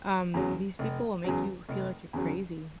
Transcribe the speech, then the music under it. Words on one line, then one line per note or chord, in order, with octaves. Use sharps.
um, these people will make you feel like you're crazy,
E2 C#3 F#3
F1
E2 C#3 F#3
F1
E2 C#3 F#3